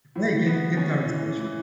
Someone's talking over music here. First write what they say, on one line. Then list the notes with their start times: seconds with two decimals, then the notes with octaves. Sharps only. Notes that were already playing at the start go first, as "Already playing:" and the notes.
hey, good good conversation.
0.16 A2
0.46 B3
0.77 C#4
1.08 E3
1.39 E3